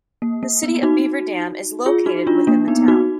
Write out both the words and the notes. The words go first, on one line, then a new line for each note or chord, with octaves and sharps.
The City of Beaver Dam is located within the town.
A#3
A#3
B3
D#4 F#4
F4 G#4
D#4 F#4
D4 F4
A#3 D4
B3 D#4
D#4 F#4